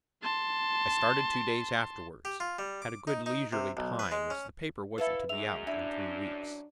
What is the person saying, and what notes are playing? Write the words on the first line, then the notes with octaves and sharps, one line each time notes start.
I started two days afterwards; had a good leisurely time, as the paper wasn't to be out in three weeks.
A5 C6
G4
F4
G3
D6
D#4
D#4
C3
B1
B4
G#3
C#4
E4 A4 B4 E5 F5
F#2 G#3 E5 F7
D4 E4